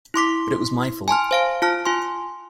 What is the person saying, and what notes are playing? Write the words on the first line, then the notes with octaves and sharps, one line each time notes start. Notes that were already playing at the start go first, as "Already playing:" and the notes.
But it was my fault.
E4 C6 D6 B6
G#5 A5 C6 F6
C5 F5 D7
F4 A5 F6
F4 G#5 C6